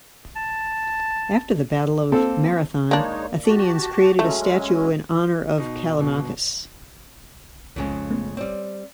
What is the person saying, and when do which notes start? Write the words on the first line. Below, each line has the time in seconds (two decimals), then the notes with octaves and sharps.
After the battle of Marathon, Athenians created a statue in honour of Callimachus.
0.36 A5
2.12 A#3 C4 A4
2.91 G#3 A#3 D4 D#4 C#5
3.46 F#4 G4 A5
4.19 F#3 G#3 A3 C#4
5.58 B2 D#4
5.98 G1 B2
7.76 C2 F2 C#3 G#3 G#5
8.10 A3 B3 C#4
8.37 G3 C4 C#5 D5